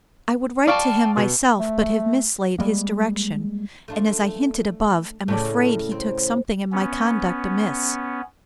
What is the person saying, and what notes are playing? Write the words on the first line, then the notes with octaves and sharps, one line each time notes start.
I would write to him myself, but have mislaid his direction; and, as I hinted above, am afraid he took something in my conduct amiss.
D4 D5 F5 G5 A5 C#6
B2
A3
G3 G#3 A#3
A3 D4 F4
A2 C#3 A3 C#4 D5
C4
B3 C#4